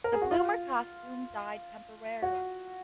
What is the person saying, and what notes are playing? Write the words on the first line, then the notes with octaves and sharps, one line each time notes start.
The bloomer costume died - temporarily.
A#4
G#4
F#4
F4
F#4